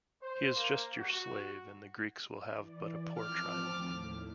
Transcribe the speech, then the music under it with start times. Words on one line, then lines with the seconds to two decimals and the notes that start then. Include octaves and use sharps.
He is just your slave and the Greeks will have but a poor triumph.
0.21 C5
0.55 A#3
0.99 F#4
2.54 E3 D5
3.19 F3 C4 A5 D6 F6
3.65 D#2 A2